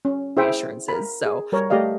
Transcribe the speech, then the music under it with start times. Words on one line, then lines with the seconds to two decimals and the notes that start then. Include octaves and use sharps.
reassurances, so,
0.05 C#4
0.37 E4 G#4 C5 E5 G5
0.88 A#4 B5
1.26 G#4
1.52 G3 A#4 C#5
1.70 A3 G4 D5 D#5 F5